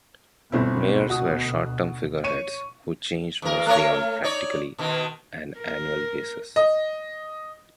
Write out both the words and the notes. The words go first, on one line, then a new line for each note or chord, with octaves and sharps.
Mayors were short-term figureheads who changed mostly on practically an annual basis.
G1 D2 B2 C4 E4
F#4 D#6
C#5 C#6 D#7
E2 A#4
A3 A#4 C#5
D#4 C#5 D5
B2 D#3
A#4
D#5